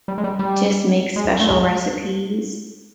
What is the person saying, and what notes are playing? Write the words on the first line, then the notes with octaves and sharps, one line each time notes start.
just make special recipes,
G3
G#3
G3
G3
G#3
A3
G#3